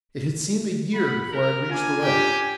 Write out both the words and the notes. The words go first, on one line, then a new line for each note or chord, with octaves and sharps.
It seemed a year before I reached the ledge.
F#5 B5
A#4
D4 F4 G#5
G4 G5